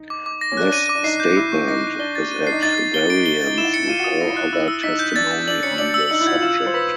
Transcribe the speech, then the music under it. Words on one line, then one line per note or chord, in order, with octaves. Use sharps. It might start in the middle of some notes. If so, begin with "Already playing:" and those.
This statement is at variance with all other testimony on the subject.
Already playing: D#4
D6
D6
A#6
C#4
D4 F#6
D#7
D6
D4
D#4 C7
G6
E4 D#7
C#6
D#4 A#6
F#6
D4 G7
A6
D#7
D4
C7
D#4
D#4 A6
A6
G7
D7
G7
A6
D#4
E4 E7
C#7
F4 D#7
F#4
D#6
F4
E4 A#6
F#6
E4 E6
E6
D#4 B6
G6
D4 A6
A6
D4 F#7
C#4 C#7
D4 F#7
E6
D#4 C#7
E4
F4 F#4 G#6
F4 E7
D#6
C5
B4 B6